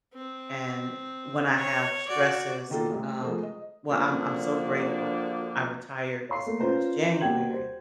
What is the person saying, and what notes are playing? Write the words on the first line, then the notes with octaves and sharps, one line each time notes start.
and when I have stressors, um well, I'm I'm so grateful, I retired this past January,
C4
C#5
F#4 D5
B2 D3 D#3 A#3 F4 A4
A1 C3 G3
F3 G#3 A3 A#4 C5
D#5
D3 F3 A#3 D4 F#4
C#5 F5 C6 C#6 C7
A3 A#3
C#4 F4 B4 C5 A#5
D#2 G3 F#4 G5 G#6 F#7
G4 C5